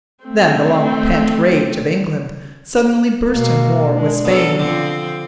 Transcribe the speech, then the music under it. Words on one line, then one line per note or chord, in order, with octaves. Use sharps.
Then the long-pent rage of England suddenly burst in war with Spain.
A3 C4
B2 G#3 A#3
G#3 D4
C#3 F#3 B3 A4
D3 F3 C4